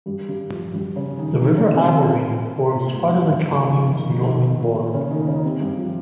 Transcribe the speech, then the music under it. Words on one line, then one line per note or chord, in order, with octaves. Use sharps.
The river Albarine forms part of the commune's northern border.
G2 G3
G2 G3
F3
G2 G3
C#3 C#4
D#3 D#4
D#3 D#4
C#3 C#4
C3 C4
C3 C4
A#2 A#3
G#2 G#3
G#2 G#3
G2 G3
F3
D#3
F3
F3
D#3
F3
D#3
A#2 A#3
C#3 C#4
D#3 D#4
C#3 C#4
C3 C4
G2 G3
F3